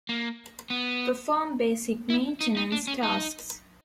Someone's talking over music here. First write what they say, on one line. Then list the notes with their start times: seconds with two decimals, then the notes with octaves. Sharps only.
Perform basic maintenance tasks.
0.09 A#3
0.70 B3
2.10 E4
2.41 D#4
2.57 D#4
2.72 D4
2.87 C#4
3.03 D#4